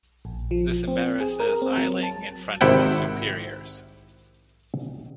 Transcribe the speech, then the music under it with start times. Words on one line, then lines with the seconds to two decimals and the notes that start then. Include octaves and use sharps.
This embarrasses Eiling in front of his superiors.
0.25 A#1
0.51 F3
0.88 C4
1.20 G#4
1.40 A#4
1.62 C4
1.77 F#3
2.03 A5
2.61 G#1 C3 E4 F#5 G5